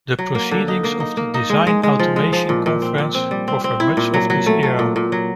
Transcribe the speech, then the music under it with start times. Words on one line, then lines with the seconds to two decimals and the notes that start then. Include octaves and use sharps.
The proceedings of the Design Automation Conference cover much of this era.
0.18 F#3
0.35 A#3
0.51 D3
0.68 D#4
0.84 A#3
1.00 D#4
1.17 A#3
1.34 D#4
1.50 G#3
1.67 G#3
1.83 G#3
1.99 F3
2.16 G#3
2.33 F3
2.49 A#2
2.66 A#2
2.82 C4
2.98 A#2
3.14 C4
3.31 G3
3.48 C4
3.64 C4
3.80 E4
3.97 A#2
4.14 F#3
4.30 F#3
4.46 A3
4.63 A3
4.79 A#2
4.96 A#2
5.12 F#3